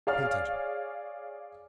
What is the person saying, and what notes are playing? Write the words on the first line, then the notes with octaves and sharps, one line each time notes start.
Pay attention!
G#4 C#5 D5 F5 F6